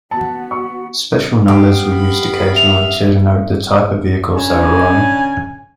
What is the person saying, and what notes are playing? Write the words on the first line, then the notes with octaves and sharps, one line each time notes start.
Special numbers were used occasionally to denote the type of vehicles they were on.
B3 F#4 A5
C#6
B3 G4 F5
B5
E5 F7
C#3 D4 G#5